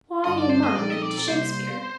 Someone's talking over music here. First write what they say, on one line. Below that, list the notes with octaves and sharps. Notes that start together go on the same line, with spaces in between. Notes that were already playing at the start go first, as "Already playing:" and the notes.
Why a monument to Shakespeare?
G2 D3 G3 D4 F4 D#5
D5
C5
D#5
A#2 F3 C4 D#4 A4 D5
D#5
D5
C3 G3 A#3 C5